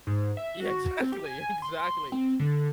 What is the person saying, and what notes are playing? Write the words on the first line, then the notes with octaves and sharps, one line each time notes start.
Yeah, exactly. Exactly,
G#2
E5
F#4
C4
G4
G#5
C6
C4
D3